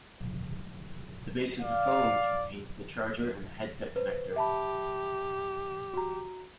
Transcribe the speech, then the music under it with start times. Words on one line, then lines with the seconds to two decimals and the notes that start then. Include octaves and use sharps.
The base of the phone contains the charger and headset connector.
1.61 D5 F5
3.96 B4 C5
4.36 G4 E5 A5 B5
5.94 F#4 A#5